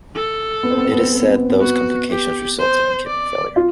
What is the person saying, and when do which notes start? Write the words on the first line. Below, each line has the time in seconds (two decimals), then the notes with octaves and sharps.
It is said those complications resulted in kidney failure.
0.15 A4
0.63 B3
0.71 C4
0.77 B3
0.85 C4
0.92 B3
0.99 C4
1.07 B3
1.14 C4
1.22 B3
1.29 C4
1.36 B3
1.43 C4
1.50 B3
1.61 B3 F#4
2.10 G4
2.59 C5
3.07 D5
3.56 F4